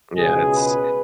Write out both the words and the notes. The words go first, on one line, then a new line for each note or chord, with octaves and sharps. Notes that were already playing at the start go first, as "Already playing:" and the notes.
Yeah, it's
C#2 B2 G#3 G#4
B4